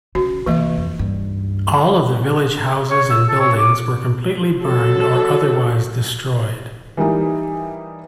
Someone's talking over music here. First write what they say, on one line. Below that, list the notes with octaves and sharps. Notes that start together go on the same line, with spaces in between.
All of the village houses and buildings were completely burned or otherwise destroyed.
C#3 F#4
D2 C3 E3 A#3 D#5
F2
C#2 G2
C#5
E6
A4
C#5
D6
F#3 A4
E3 G3 A#3 D#4